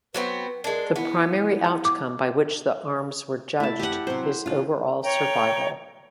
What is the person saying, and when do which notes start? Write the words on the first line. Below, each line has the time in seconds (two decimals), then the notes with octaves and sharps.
The primary outcome by which the arms were judged is overall survival.
0.14 F#3 B3 C4 B4
0.64 G#3 D4 A#4
0.96 B3 E4
1.85 D6
3.60 A3 E4 A5
3.79 F2 G4 F#5
4.07 C3 F#3 C5
4.46 C#3 D4 F4
5.02 C#5 G5 A#5